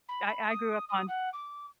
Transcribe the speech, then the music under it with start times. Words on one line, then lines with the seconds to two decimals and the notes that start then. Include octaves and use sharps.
I I grew up on
0.08 B5
0.49 D#6
0.89 D#6
1.08 F#5
1.33 D6